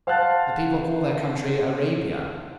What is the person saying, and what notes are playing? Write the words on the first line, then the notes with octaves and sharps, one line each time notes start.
The people call their country Arabia.
C5 F5 F#5 A5 F#6 A6